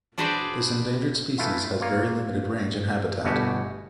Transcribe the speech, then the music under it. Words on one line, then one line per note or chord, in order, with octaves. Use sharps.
This endangered species has very limited range and habitat.
D4 F#4 G#4 B4 C5 D5
E3 A3 E4 F4
A#3 F4 C#5
G1 B2 A3 F#4 G4 G#5